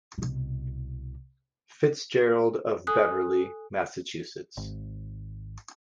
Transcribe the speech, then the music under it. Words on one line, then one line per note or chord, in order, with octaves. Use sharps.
Fitzgerald of Beverly, Massachusetts.
C2 B2
A4 G#5 D#6 F#6
G#1